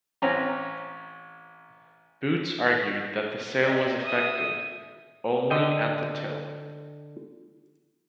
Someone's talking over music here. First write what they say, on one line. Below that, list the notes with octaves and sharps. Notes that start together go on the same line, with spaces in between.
Boots argued that the sale was effected only at the till.
A1 C4 C#4 A#5
D5 D#5
E5 D#6
D3 D#5 G5